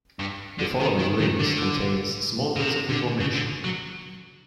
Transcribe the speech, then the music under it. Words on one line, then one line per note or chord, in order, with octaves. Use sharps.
The following links contains small bits of information.
G2
D3
D#3
D#3
D#3
D3
B2
C3
D3
C#3
D3
F#3